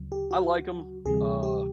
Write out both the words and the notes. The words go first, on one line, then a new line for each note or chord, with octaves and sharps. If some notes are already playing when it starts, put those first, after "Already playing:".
I like 'em. Uh,
Already playing: D2 C#3 F#3
G4
F#4
D2 C3 E3 G3 G#4
G4